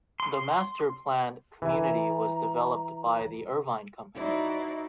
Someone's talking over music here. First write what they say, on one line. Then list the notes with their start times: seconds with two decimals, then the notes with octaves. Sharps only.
The master-planned community was developed by the Irvine Company.
0.20 C6
1.62 E3 G#5 A#5
4.14 D#4 E4 F#4 C5 D5